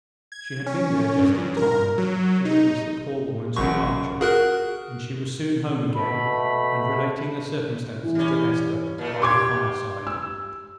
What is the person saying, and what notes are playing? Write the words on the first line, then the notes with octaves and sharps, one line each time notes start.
She had been there just in time to witness the poor woman's departure; and she was soon home again and relating the circumstances to Hester, by the fireside.
G#6
C#4
G2
A#4
F#3
D#4
A1 F#2 C#3 C#6
F#4 G#4 A#4 F#6
B2 A3 B5
E3
G3 C#4
A#2 A3
G4 C6 D6 G#6
E6